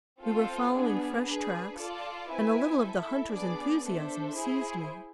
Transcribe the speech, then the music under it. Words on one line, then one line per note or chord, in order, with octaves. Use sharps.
We were following fresh tracks, and a little of the hunter's enthusiasm seized me.
C4 F4 A4
B3 D4 G#4
D4 G#4 B4
F4 A4 D5 A5
C4 E4 B4 E5 G#5
E4 A4 E5
B3 D4 G#4 D5
D4 A4 C5 E5
E4 G#4 C5